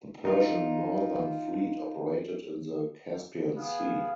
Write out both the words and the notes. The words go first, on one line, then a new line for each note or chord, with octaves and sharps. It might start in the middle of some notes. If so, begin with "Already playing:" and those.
The Persian northern fleet operated in the Caspian Sea.
D#4 F4
B3 G#4 F5